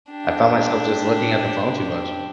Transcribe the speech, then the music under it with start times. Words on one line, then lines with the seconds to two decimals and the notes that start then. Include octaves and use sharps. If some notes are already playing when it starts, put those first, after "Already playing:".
I found myself just looking at the phone too much,
0.11 D4 G4